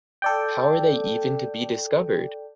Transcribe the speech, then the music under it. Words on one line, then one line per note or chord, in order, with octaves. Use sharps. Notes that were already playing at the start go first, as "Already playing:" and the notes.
How are they even to be discovered?
A4 D5 G5